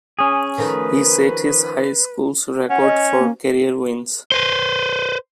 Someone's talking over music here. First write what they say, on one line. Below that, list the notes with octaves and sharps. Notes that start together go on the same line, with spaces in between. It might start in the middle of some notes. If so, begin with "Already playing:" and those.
He set his high school's record for career wins.
C#4 G#4
D#3 F3 A3 B4
C#4 F#5
D#5
A#3
B4 C5